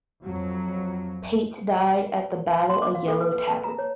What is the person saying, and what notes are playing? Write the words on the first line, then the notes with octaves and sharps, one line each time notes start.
Pate died at the Battle of Yellow Tavern.
F2 F#3
C6
D6
F5
A4
B4
B4
A5
A#5
C#5